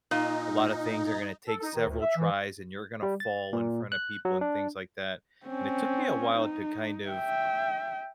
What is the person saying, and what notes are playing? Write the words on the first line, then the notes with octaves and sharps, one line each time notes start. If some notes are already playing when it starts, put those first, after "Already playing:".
A lotta things are gonna take several tries, and you're gonna fall in front of people and things like that, and it took me a while to kind of
A#2 D#4
A4
D#4
D#3
D2
E5
E3
G3
A6
A#2
F#6
F#3
D4
C4 C#4
D#4
E5 G5